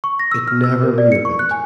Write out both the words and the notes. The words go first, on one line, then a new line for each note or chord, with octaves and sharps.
It never reopened.
C#6
A#6
E6
F6
E6
A#4
D5
C#7
C#6
F#6
G#5